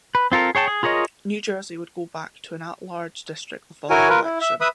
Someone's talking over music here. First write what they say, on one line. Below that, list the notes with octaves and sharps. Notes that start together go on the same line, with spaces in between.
New Jersey would go back to an at-large district the following election.
B4
C4 F4 A4 A#4
G#4 C#5 G5 A5
G#4
F4 G#4 A#4 C#5 D#5
E4 F#4 A#4 C#5 G#5
F4 A#4 B4
E4
E5
B4 E5 B5 D#6